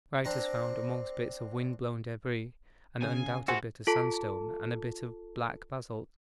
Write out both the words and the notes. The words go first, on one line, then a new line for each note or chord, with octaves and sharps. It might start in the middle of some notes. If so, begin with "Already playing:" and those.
Wright has found, amongst bits of wind-blown debris, an undoubted bit of sandstone and a bit of black basalt.
C4 D4 A#5
C#3 G#5
E4 F#4 G#4 A4 C5 F#5
F4 A4 A5